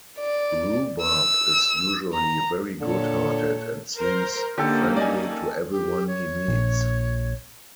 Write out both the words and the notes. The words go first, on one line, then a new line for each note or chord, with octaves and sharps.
Roobarb is usually very good hearted and seems friendly to everyone he meets.
D5
E6
A#5
A#2 D3 A4 C#5
A#4 C5
D3 A#3 C#4 D#4 G4 A4
D5 D#5 G#5
G4
C#5
A#1